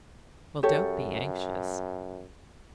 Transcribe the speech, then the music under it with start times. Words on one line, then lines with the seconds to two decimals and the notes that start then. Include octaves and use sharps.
Well, don't be anxious.
0.63 F#2 G4 A4 C#5